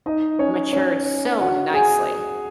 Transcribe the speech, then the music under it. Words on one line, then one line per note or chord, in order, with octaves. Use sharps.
matured so nicely.
D#4 D#5
C#4 C#5
C#4 C#5
F#4 F#5
G#4 G#5